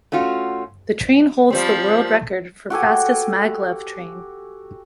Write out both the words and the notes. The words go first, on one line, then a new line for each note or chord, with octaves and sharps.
The train holds the world record for fastest maglev train.
A3 C#4 F4 F#4
F3 G3 C4
F#4 G4 A4 G#5